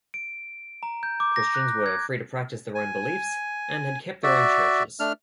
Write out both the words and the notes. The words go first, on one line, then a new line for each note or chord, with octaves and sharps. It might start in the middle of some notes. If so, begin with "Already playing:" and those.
Christians were free to practice their own beliefs, and had kept their own churches.
D7
A#5
G6
D6
A#6
F#6
G#6
G#5
F#4 D5 E5
A3 D4 F6